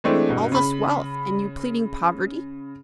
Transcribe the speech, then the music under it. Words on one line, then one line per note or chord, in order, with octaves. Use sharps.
"All this wealth, and you pleading poverty?"
E3 G#3 A3 C4 D4
G2 B2
C#3 B5